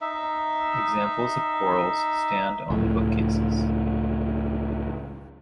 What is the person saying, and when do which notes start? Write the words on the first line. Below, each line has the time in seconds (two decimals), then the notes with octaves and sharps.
Examples of corals stand on the bookcases.
0.01 D#4 E5
2.70 C#2 A2